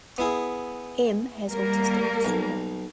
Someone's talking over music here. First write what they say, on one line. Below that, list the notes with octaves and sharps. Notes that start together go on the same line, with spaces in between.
M has autistic disorder.
B3 E4 G#4
G3 A#3 A#4
B1